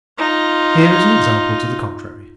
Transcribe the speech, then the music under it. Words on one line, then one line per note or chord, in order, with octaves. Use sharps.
Here is an example to the contrary.
D#4 F4